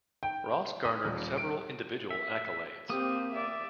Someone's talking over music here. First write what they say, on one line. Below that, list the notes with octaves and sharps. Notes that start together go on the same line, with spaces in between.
Ross garnered several individual accolades.
G5
D#6
D#1
D7
E5
A#3 C4 G4 D#6
D5 E5